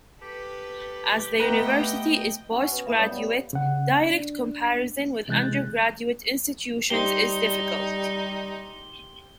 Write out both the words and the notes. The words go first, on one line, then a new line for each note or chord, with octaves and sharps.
As the university is postgraduate, direct comparison with undergraduate institutions is difficult.
G4 A4 B4
A3 B3 B4 D#5 G5 A#5
C#4 F#4
B3
E3 F5 B5 D#6
G3 C#5
G2 B3
C#3 F#5
D4
C3 E3 G#3 F#6 G6 A6
G3 D#4 G4 C5 G7